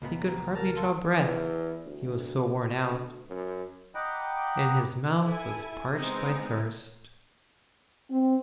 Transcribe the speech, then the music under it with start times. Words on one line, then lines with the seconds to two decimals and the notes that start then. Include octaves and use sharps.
He could hardly draw breath he was so worn out, and his mouth was parched by thirst.
0.02 C#2 A#2 B3
0.19 A#5
0.55 A#4 A5 A#5
0.77 F4 A4
1.19 E2
1.85 D2
2.88 D2
3.30 F#2
3.95 D#5 F#5 G5 A#5 B5 D6
5.23 E4 A4 G#5
5.94 G#3 B3 C4 D#4
8.10 C4